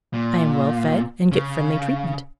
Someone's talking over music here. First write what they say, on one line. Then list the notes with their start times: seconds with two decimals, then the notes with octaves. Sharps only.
I am well fed, and get friendly treatment.
0.14 A#2
1.32 C#3